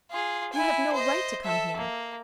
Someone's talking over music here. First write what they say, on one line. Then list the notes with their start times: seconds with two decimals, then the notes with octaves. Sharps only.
You have no right to come here.
0.11 F4 G#4
0.53 E4 G#5
0.93 C5 D#5
1.43 A4 E5
1.77 A#3